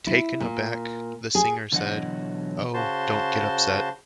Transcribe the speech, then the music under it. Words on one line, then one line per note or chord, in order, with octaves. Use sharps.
Taken aback, the singer said, Oh, don't get upset.
E4
A#2
G#4
B2 D3 E3 F#3 D#5 F#5
C#3 F#4 C5 A5 C6